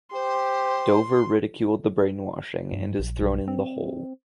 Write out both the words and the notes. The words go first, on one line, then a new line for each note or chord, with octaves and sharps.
Dover ridiculed the brainwashing and is thrown in the hole.
G4 C5 C6
G2
A#1
B1
C4